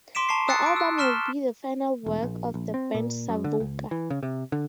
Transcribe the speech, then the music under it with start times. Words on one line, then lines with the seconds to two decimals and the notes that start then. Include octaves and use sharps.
The album would be the final work of the band Savuka.
0.15 C6 D6 B6 D7 E7
0.29 A5 A#5 C#6 C7
0.48 D#6 E6 F#6 A6 C7 C#7
0.62 D6 D7
0.76 E6 F#6
0.98 A5 C#6 F6 B6 E7 G7
2.06 E1
2.23 A#1
2.54 A#1
2.74 C4
2.95 A#2
3.29 F#2
3.44 D3
3.60 C#2
3.91 E3
4.10 C#3
4.23 C3
4.52 D3